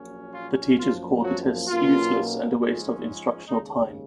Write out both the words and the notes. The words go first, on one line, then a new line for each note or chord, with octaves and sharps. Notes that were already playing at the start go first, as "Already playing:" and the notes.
The teachers called the tests useless and a waste of instructional time.
Already playing: A#1 A#2 F#3 C#4
F4
F#2 F3 A#3 F4
F#3 F#4
B1 B2 A#3 C#4 F4
G#2 F3 G#3 C#4
D#2 C#3 G#3 D#4